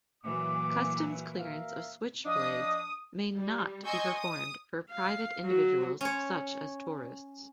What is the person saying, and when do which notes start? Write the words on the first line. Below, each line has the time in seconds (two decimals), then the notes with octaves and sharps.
Customs clearance of switchblades may not be performed for private individuals such as tourists.
0.23 A#2 E3 F#3 D6
1.37 A#4 E5 F5
2.25 F3 D4 D#5 D#6
3.35 G3
3.86 D#5 G#5 C6 C#6 E6 G6
4.16 D#6
4.91 F5
5.45 F#3
6.01 C#4 C#5